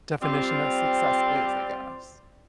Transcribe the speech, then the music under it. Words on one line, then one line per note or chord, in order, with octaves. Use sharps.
definition of success is, I guess.
G3 C4 F4 G4 C5 D5